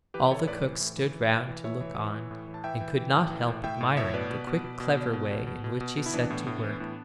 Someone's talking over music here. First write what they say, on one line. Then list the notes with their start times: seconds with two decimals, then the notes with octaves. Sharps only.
All the cooks stood round to look on, and could not help admiring the quick, clever way in which he set to work.
0.14 E3 G4 B4
0.31 E3 A4 C#5
0.47 A2 B4 D5
0.65 E3
0.80 A2
0.97 E3
1.14 E3
1.31 E3
1.48 E3
1.64 A2 C#5 E5
1.81 E3
1.98 E3
2.14 E3
2.31 A2
2.48 E3
2.54 A5
2.64 E3 E5 G5
2.80 E3
2.97 E3
3.14 A2
3.30 E3
3.48 A2
3.63 A2 E5 G5
3.81 A2
3.97 A2 C#5 E5
4.14 B2 B4 D5
4.30 B2
4.47 B2
4.64 B2
4.80 B2
4.97 B2
5.13 B2
5.31 B2
5.47 B2
5.64 B2
5.80 B2
5.97 B2
6.06 E4
6.14 E3 B3 D4
6.30 A2
6.47 A2
6.64 E3
6.80 A2